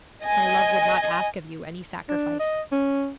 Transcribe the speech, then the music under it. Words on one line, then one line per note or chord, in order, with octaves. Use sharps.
My love would not ask of you any sacrifice.
D#5 G#5
D4
D#5
C#4